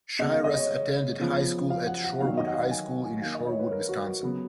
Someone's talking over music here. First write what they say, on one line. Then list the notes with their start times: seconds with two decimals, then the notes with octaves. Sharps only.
Shiras attended high school at Shorewood High School in Shorewood, Wisconsin.
0.19 C#3 G#3 B3 D#5
0.32 F5
0.44 D#5
0.57 C#5
1.20 C#3 F3 B3
1.70 F5
1.87 F#5
2.04 F#5
2.20 D#3 F#3 B3 F5
2.37 D#5
2.47 F#5
2.54 F5
2.71 G#5
3.05 G#5
3.22 D#3 A#3 F5
3.35 D#5
3.47 C#5
3.59 B4
3.71 A#4
3.89 F#4
4.22 C#3 F#3 B3